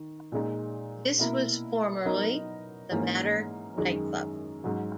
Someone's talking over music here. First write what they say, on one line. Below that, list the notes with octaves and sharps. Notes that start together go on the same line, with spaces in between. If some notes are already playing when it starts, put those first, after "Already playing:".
This was formerly the Matter nightclub.
Already playing: D#3
A#2 G#3 D#4
B2 A#3 E4 A#4
F#3 B3 D#4 A#4 D#5
G#2 E3 A#3 C#4 G#4
F#2 D#3 G#3
G#2 F#3 C#4